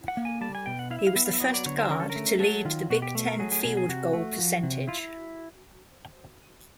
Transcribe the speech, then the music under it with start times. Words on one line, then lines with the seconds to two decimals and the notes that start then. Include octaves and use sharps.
He was the first guard to lead the Big Ten field goal percentage.
0.08 F#5
0.17 A#3
0.25 G#5
0.41 G3 A5
0.55 G#5
0.66 B2 G5
0.79 F#5
0.91 E4 F5
0.99 E5
1.07 F5
1.16 B3 E5
1.26 F5
1.33 E5
1.40 F#3 D#5
1.54 D5
1.65 D3 C#5
1.78 C5
1.90 C#4 A#4
2.00 A4
2.10 A#4
2.16 A3
2.40 F#3 A4
2.65 D#3 F4
2.90 B2 F#4
3.02 G4
3.15 A3
3.27 A#4
3.39 F#3 G#4
3.52 G#4
3.64 B2 G#4
3.77 G#4
3.88 C3 F#4
4.13 A3
4.39 F3
4.63 C3
4.87 E4 F4